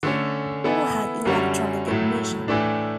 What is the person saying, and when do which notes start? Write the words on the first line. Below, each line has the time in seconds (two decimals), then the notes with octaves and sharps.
All had electronic ignition.
0.03 D3 A3 C#4
0.64 E3 B3 E4 A4
1.25 F#2 D3 G3 C#4 F#4
1.87 A2 F#3 A3 E4
2.48 A2 E3 A3 D4